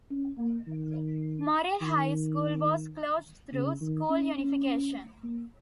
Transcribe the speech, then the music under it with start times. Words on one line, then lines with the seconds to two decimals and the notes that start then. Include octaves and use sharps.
Morrill High School was closed through school unification.
0.11 C#4
0.38 A#3
0.67 D#3
1.81 D#3
3.53 C#3
3.81 D#3
4.10 C#4
4.38 C#4
5.23 A#3